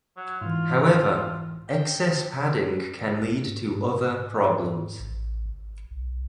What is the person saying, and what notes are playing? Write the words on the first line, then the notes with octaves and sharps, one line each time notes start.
However, excess padding can lead to other problems.
F#3
G#2 E3 F4
G5
G#2
G#2
A1
G#1
B1